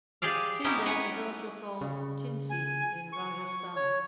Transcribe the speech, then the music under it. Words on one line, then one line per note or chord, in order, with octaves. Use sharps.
Tinda is also called "tindsi" in Rajasthan.
G4 G#4 D5 F5
B3 C#4 D#4 E4 G4
B4 C#5 F#5 G#5
C#3
G#5
C#6
C#5